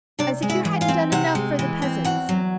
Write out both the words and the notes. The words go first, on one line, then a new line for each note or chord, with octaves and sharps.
As if you hadn't done enough for the peasants!
C3 D4 D5
G#3
E4 E5
E3
F4 F5
C4
C3 F#4 F#5
G#3
E3
C4
E2 F#4 F#5
F#3